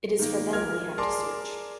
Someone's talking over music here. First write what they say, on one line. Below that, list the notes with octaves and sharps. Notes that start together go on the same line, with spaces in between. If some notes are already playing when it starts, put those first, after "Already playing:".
It is for them we have to search.
D#3 A#3
A#4 F6 G#6
G#4 A#4 D5 A5 C6 D6